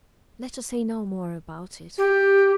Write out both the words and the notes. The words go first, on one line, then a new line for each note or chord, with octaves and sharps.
Let us say no more about it.
G4